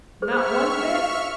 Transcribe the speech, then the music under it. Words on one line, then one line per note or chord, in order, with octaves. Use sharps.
Not one bit?
G#4 C5 E5 C#6 F6